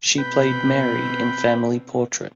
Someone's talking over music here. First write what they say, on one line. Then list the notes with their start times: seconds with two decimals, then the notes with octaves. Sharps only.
She played Mary in "Family Portrait".
0.18 B2 C4 B4 G5